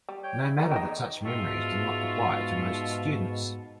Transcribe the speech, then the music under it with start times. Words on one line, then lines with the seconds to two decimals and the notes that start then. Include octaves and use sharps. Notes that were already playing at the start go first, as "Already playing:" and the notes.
No matter that such memories do not apply to most students.
0.08 G3
0.23 C#5 G5 G6
0.42 E4
0.59 E2 F#3 D#4 B4
0.71 D#5 E5 G5
1.25 G#2 B2 F4 E5 A5 C#6